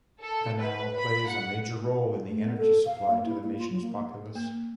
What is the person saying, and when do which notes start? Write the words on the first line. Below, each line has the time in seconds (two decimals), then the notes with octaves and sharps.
Penal plays a major role in the energy supply to the nation's populace.
0.22 A4
0.58 B4
0.97 B5
1.27 F#5
2.29 A3
2.44 B3
2.58 A4
2.85 F5
3.10 A#3
3.25 E4
3.44 A#3
3.58 F4
3.70 F#3
3.82 A#3
4.35 A#3